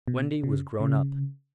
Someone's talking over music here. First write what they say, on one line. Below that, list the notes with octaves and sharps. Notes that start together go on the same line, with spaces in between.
Wendy was grown up.
B2
C#3
C#3